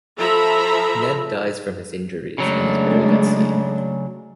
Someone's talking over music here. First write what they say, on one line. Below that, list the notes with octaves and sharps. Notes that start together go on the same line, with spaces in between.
Ned dies from his injuries and is buried at sea.
F3 A4 E5 A#5 B5
C#3 F#3 G#3 A3 D4